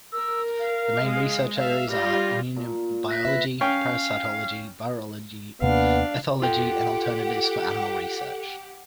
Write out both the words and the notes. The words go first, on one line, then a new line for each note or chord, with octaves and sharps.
The main research areas are Immunobiology, Parasitology, Virology, Ethology and Alternatives for Animal Research.
A#4 E6
F5
G#3
E5 F5
G3 F4 A#6
A#2
F#6 A#6 B6
B4 E5
C#4 F5 G5
D#2 C3 A#3 B3 D4 F5
F4 G4 A4 F#5 G5